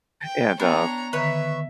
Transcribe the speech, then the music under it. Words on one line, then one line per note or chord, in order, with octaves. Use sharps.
And, um,
G5
B3 D4 C#5 G5 A#5
D3 D#3 B4 C#5 E5 A#5